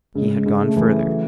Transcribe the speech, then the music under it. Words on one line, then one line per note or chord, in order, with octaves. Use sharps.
He had gone further.
C#3 G#3
C#3
A3
E3
F#3